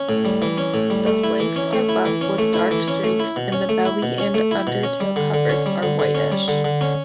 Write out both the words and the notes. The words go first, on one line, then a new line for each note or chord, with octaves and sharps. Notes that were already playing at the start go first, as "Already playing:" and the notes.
The flanks are buff with dark streaks and the belly and undertail-coverts are whitish.
Already playing: C#4
A2
G3
E3
C#4
A2
G3
A3
E4
E3
C#4
A3
E4
E3
C#4
A3
E4
E3
C#4
A3
E4
B2
C#4
A3
E4
B2
C#4
A3
E4
B2
C#4
G3
D3
D3
C#4
G3
D3
D3
C#4
G3
D3
D3
C#4